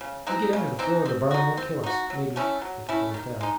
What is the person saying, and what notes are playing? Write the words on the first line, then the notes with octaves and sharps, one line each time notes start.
"If we get under the floor the barn won't kill us, maybe, if it blows down."
C#3
E3 C4 D#4
C#3
E3 C4 D#4
C4
D#4 F#4
C4
D#4 F#4
F#3
A3 C#4 E4
F#3
A3 C#4 E4
D#3
G#3 D#4